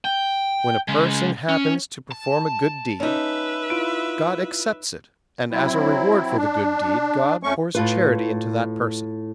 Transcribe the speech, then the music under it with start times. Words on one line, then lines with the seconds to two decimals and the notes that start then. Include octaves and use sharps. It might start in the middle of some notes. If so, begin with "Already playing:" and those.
When a person happens to perform a good deed, God accepts it and as a reward for the good deed God pours charity into that person.
0.05 G5
0.88 C#3 G#3
1.49 C#4
2.12 A5
3.00 C#4 D#4 B4 E5
3.70 E4 F4 D7
5.52 F#3 C4 E4
6.37 D4
7.43 F2 A3 C#4 C#6
7.75 A2 F4 B4